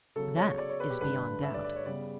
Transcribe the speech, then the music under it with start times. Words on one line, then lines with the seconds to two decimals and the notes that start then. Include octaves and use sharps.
"That is beyond doubt."
0.16 C#3 F#3 B3 A4
0.37 C#5
0.58 D5
0.69 C#5
0.80 B4
0.90 G4
1.01 G2 D3 A3 B4
1.43 E5
1.54 D5
1.64 D5
1.76 C#5
1.86 C#3 G3 B3 D5